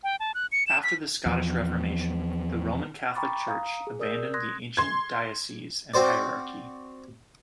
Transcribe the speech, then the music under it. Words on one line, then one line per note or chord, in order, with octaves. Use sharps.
After the Scottish Reformation, the Roman Catholic Church abandoned the ancient dioceses and hierarchy.
G5
A5
F#6
C#7
E7
B6
E2 F3
G5 A#5 B5 C#6 D6 A6
F5 A#5 D#6
G#4
A#4 D5 D#6 E6 G6
C6 D#6 F#6 G#6 A#6
C6 G#6
C4 F#4 C5 D5